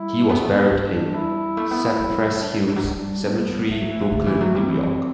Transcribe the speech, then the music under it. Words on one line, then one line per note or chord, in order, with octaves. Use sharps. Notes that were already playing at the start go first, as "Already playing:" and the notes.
He is buried in Cypress Hills Cemetery, Brooklyn, New York.
Already playing: G3 E4
B3 D4
A3
B3
G3
E4
A3
B3
G3
D4
E3
F#3
G3
B3
G3 A3
F#3
E3
D3
D3
E3
F#3
G3 C4
E3
F#2